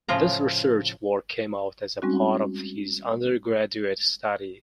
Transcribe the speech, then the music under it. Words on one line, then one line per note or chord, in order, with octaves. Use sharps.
This research work came out as a part of his undergraduate study.
A2 C#3 F3 F4 A#5
G3 G#3 C4 C#4 D#4 F#4